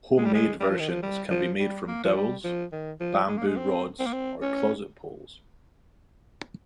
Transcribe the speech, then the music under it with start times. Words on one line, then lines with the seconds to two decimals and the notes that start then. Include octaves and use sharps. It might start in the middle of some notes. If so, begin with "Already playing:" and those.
Homemade versions can be made from dowels, bamboo rods, or closet poles.
0.17 G#3
0.25 G3
0.34 G#3
0.60 G3
0.70 F3
0.79 D#3
0.89 F3
1.02 G3
1.31 F3
1.59 G3
1.88 A#3
2.04 F3
2.16 G3
2.44 F3
2.72 D#3
3.00 F3
3.28 G#3
3.37 A#3
3.47 G#3
3.57 C4
4.00 C4
4.07 A#3
4.13 C4
4.42 C#4